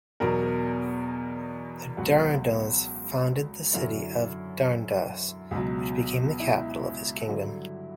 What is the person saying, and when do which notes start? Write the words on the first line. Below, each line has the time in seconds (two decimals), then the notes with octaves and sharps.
There Dardanus founded the city of Dardanus which became the capital of his kingdom.
0.20 E2 B2 F#3 A#4
1.97 C#2 B2 F#3 F#4
3.73 F#2 D3 F#3 E4
5.51 C#2 B2 F#3
6.40 E4
7.28 G2 D3 F#3